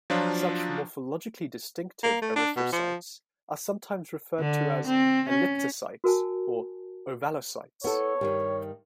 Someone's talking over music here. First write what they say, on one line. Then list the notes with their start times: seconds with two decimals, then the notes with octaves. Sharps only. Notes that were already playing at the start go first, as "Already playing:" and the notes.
Such morphologically distinctive erythrocytes are sometimes referred to as elliptocytes or ovalocytes.
0.10 F3 F#3 D4 F4
2.03 A#3
2.22 A3
2.36 D4
2.56 B2
2.72 F3
4.39 D3
4.87 C4
5.29 C#4
6.04 F#4 A#4 G#5 A5
7.84 B3 E4 A4 C#5
8.21 G2 D#3 G3